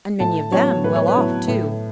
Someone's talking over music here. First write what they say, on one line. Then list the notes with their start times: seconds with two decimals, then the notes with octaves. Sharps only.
And many of them well off, too.
0.20 A2 A5
0.52 F#3 B3 E4 C#5
0.84 A2 B4
0.96 C#5
1.08 B4
1.16 F#3 B3 E4
1.48 A2